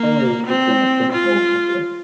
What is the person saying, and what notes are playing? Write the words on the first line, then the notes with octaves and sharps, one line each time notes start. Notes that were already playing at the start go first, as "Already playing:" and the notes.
Coleridge was born at Greta Hall, Keswick.
Already playing: A#3
C4
F4